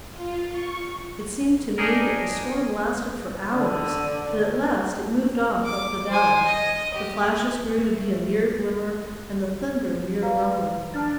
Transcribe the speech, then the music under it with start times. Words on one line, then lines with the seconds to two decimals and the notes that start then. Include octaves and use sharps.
It seemed to me that the storm lasted for hours; but at last it moved off up the valley, the flashes grew to be a mere glimmer, and the thunder mere rumbling.
0.11 F4
0.50 C#6
1.78 D4 D#4 G#4 A#4
3.55 D3
5.64 D6
6.09 C5 G#5
6.45 D#5
6.94 G4
7.78 A3
10.22 B4 F5 A#5
10.94 D4 A5 F6 A6